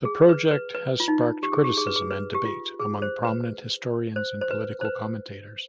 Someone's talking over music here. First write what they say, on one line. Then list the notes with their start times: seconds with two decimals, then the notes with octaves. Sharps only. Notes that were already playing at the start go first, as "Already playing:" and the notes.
The project has sparked criticism and debate among prominent historians and political commentators.
0.05 G#4
0.29 B4
0.51 B4
0.74 B4
1.00 F4
1.08 D#4
1.43 G4
1.53 G#4
1.64 G4
1.78 G#4
1.87 B4
1.96 G#4
2.11 B4
2.34 G4
2.45 F4
2.79 G#4
3.02 C5
3.25 B4
4.16 C5
4.41 C5
4.51 B4
4.81 C5
4.85 B4